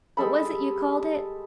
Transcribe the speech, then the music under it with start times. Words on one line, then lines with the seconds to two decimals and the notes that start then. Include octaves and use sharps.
What was it you called it?
0.17 G3 G#3 A4 B5